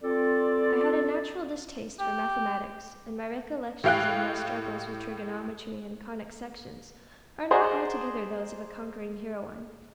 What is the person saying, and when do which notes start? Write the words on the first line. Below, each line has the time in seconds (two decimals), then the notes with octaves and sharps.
I had a natural distaste for mathematics, and my recollections of my struggles with trigonometry and conic sections are not altogether those of a conquering heroine.
0.03 C4 F4 A4 D5
2.00 G4
3.84 A2 G4 F5 G5 F#6
7.51 G#4 C5 D5 D#5 F#5 A#5